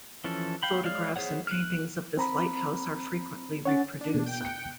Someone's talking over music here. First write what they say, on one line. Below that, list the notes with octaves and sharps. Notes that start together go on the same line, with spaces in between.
Photographs and paintings of this lighthouse are frequently reproduced.
E3 F3 C#4 A4
F5 G5 B5
G#3 C#5 D5 F5 F6
B3 G#4 C5 C#5 F#5
F6 F#6
C4 A#5 B5
C#4 C#5 F#5 A6
D4
B2
G5
F#6 C#7